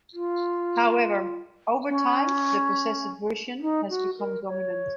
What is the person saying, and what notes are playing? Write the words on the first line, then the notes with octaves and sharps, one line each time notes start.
However over time the possessive version has become dominant.
F4
C#4
D#4
F#4
A#4
C#5